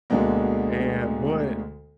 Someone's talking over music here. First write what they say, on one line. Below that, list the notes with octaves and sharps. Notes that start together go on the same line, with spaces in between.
and but,
D2 B2 D3 G#3 A#3